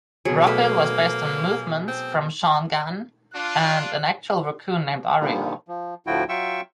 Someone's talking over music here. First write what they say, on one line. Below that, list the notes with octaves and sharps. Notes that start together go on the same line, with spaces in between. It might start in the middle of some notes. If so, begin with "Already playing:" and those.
Rocket was based on movements from Sean Gunn and an actual raccoon named Oreo.
B2 F#3 G#4
A3 A#3 B4 E5
C4
D4 F4 F#6
A#2 D3 D#3 F3 G3
F3
D2 A2 F3 E4 F#4 G5
F#3 F4 E5 G5 C#6 E6